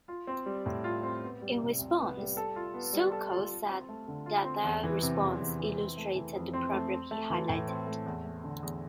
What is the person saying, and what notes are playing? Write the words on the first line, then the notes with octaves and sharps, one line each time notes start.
In response, Sokal said that their response illustrated the problem he highlighted.
F4
C4
G3
A2
F4
C4
B3
G3
C3
C2
B3
G3
A4
F4
B3
G3
A4
F4
F4
C4
A3
D3
F4
C4
E2
E3
C3
E2
E2
E3
C4
A3
E3
F2
C4
A3
C4
A3
E3
A2
C4
A3
E2
A3
D3
E2